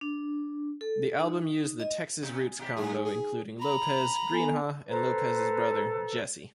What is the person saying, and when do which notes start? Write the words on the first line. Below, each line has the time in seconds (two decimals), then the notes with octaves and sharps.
The album used the "Texas Roots Combo" including Lopez, Greenhaw, and Lopez' brother, Jesse.
0.01 D4
0.81 A4
1.19 D#4
1.80 D#5
2.23 C3
2.59 B2 G4
2.77 G2 G#4
3.05 G#4
3.61 A#5 B5
4.30 B3 A4 G#5
4.89 A4 B4 C5 A#5